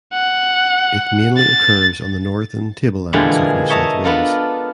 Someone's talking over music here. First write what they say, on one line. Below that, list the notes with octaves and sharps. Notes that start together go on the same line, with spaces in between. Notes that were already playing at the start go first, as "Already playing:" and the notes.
It mainly occurs on the Northern Tablelands of New South Wales.
F#5
A6
A#2 D3 E3 F3 G3 G#3
G#4
C#5 D#5 E5 A5 A#5
B3 D4 F4 A4 A#4